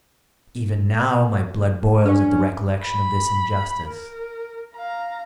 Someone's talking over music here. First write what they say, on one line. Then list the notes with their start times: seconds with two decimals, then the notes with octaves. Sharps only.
Even now my blood boils at the recollection of this injustice.
2.05 C#4 D4
2.83 B5
3.88 A#4
4.74 F5 A#5